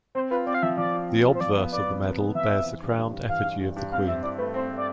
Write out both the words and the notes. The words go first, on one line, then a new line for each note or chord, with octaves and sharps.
The obverse of the medal bears the crowned effigy of The Queen.
C4 C5
F4 B4
C4 D5
F5
F3 E5
F3 D5
F4
C4
F4
C5
F3 D5
B3
B3 D5
F2
C3
B3
F3 E5
F2
E3
G2
G2
G2
E3 F5
G2
G2
G2
C4 F5
C4 E5
E4 D5
A3 B4
C4 C5
A3
D5